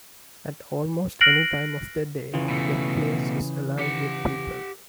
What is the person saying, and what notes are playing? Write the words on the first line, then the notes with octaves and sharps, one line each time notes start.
At almost any time of the day, the place is alive with people.
F6 F#6 A#6 C7 D7 F#7
C#3 E3 F4
B2 A3
G4 F#5